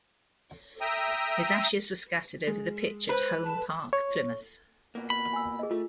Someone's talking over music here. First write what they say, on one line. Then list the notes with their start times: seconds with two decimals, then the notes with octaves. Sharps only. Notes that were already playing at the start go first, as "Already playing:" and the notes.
His ashes were scattered over the pitch at Home Park, Plymouth.
0.81 E5 G5 A#5 D#6
2.47 G#3
3.09 B4 C5
3.45 A5
3.93 C#5
4.95 B2 A#3
5.10 B5
5.33 G#5 E6
5.59 G#4 D#5
5.71 A3 F4